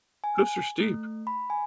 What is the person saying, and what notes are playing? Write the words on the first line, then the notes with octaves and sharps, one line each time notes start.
cliffs are steep.
G#5
A3
B5
G#5